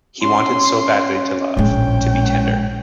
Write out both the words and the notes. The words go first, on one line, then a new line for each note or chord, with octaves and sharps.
He wanted so badly to love, to be tender.
C#4 C6
A#1 A2 G#3 G5